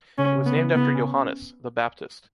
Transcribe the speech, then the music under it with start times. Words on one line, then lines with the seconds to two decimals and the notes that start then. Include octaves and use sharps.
It was named after Johannes, the baptist.
0.18 C#3 C#4
0.37 C#3
0.46 B3
0.56 E4
0.75 C#3 B3
0.94 C#4